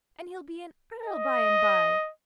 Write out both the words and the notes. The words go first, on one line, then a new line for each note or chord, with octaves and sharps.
And he'll be an earl by-and-by.
D#5